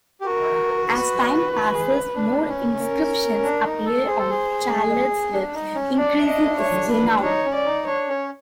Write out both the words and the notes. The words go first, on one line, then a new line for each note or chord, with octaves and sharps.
As time passes, more inscriptions appear on Charlotte's webs, increasing his renown.
G4
F#4 A#4
B4
F#4
G#4
D4
C#4
A#4
D4
D#4
A4
G#4 C5
A4
G#4
D4
D#4
C#4
D4 D5
D#5
C#5
B4
D#4 C#5
C#4
D5
D#4
D4 C#5
C#4